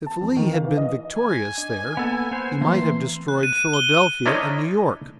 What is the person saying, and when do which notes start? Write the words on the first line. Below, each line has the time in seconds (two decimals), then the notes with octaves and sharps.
If Lee had been victorious there, he might have destroyed Philadelphia and New York.
0.06 A5
0.21 F2
0.37 D#3
0.52 F5
0.64 E3
0.77 D#5
1.19 G#5
1.58 D4 D#5
1.97 A#3 B3 A4
2.31 B3 C5
2.61 E3 A3 A#3 C4 C6
3.28 F#6
3.43 D#7
3.73 G7
4.26 D4 E4 A#4 C5 C#5 D#5